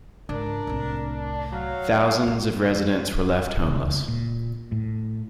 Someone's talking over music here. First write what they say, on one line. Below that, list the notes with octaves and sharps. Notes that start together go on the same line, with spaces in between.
Thousands of residents were left homeless.
C#2 G#2 D4 A#4
C2 A2
F#3 F5
G#3
C2
C#2
A#2
A2